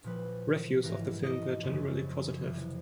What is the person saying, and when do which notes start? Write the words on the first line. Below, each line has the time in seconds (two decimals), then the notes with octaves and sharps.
Reviews of the film were generally positive.
0.04 A#2 F3 B4
0.84 G#2 E3 A#4
1.23 D#5
1.63 F#2 C#3 F3
2.42 F2 C3 E3